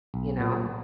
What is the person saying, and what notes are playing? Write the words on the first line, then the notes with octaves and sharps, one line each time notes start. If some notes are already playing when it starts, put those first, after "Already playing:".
You know?
B1
A#2 F#3